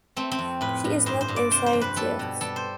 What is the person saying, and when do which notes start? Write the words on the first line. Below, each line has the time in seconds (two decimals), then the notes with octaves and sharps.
She is not in sight yet?
0.16 A3 C4
0.32 C4
0.39 F2
0.61 A2 B4
0.84 A2
1.06 G2 C5
1.21 C5
1.28 G2
1.36 D5
1.51 C3 C5
1.66 C5
1.73 F2
1.81 B4
1.96 G3 A4
2.19 B2
2.41 G3 A4
2.56 C5